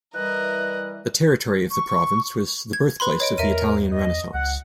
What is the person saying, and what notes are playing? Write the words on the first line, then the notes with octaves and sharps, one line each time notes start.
The territory of the province was the birthplace of the Italian Renaissance.
E3 G3 A#4 D#5 F#6
C#6
G#6
B4 B5 C6
C#5 D#5 D7
E2 A#4 E5 D#7
D#5
C#2 F#5